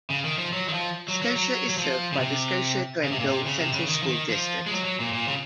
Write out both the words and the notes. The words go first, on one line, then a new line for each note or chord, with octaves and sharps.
Scotia is served by the Scotia-Glenville Central School District.
C#3
D#3
F3
F#3
D#3
F3
F#3
F#3
F#3
F#3
F3
C#3
C3
C#3
C3
A#2
C3
C#3
C3
C#3
D#3
F3
D#3
F3
G#3
F#3
F#3
A#2
A#2
C#3